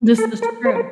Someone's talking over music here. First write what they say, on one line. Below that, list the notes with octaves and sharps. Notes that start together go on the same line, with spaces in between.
This is true.
A4
A#4
C5
A#4